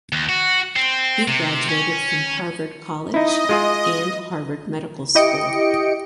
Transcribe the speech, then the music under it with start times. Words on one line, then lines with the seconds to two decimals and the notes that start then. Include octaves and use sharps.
He graduated from Harvard College and Harvard Medical School.
0.12 D#2
0.29 F#4
0.76 C4
1.28 C3
1.69 C#4
3.14 D#4 E4 D#5
3.49 G#3 F4 G#4
5.15 E4 G4 D#5 C#7 D7